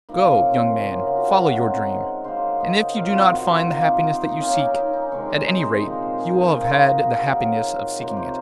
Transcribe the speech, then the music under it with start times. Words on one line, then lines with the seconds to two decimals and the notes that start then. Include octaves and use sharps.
Go, young man, follow your dream, and if you do not find the happiness that you seek, at any rate you will have had the happiness of seeking it.'
0.09 C3 F3 A#3 D#4
0.26 C#4
0.46 C4
0.63 C4
0.81 C3 D#3 F#3 C4 C#4
0.99 F4
1.17 F#4
1.28 F#4
1.40 A#4
1.53 D#3 G#3 C4
2.24 C#3 F#3 A#3 C5
2.60 D#5
2.96 A#2 F3 C4 F5
3.15 F#4
3.33 F4
3.50 D#4
3.68 C3 F3 A#3
4.04 F4
4.22 D#4
4.40 D#3 A#3 C#4
4.58 D#4
4.76 D#4
4.93 D#4
5.12 C3 D#3 G#3 C4 C#5
5.30 D#5
5.47 C5
5.66 G#4
5.83 A#2 G#3 C4
6.19 G#4
6.55 A#2 F3 C4 A#4
6.73 A#4
6.92 F#4
7.03 G#4
7.15 A#4
7.27 D#3 F#3 A#3
7.98 C3 F3 A#3 C5
8.08 C#5
8.17 C5
8.25 A#4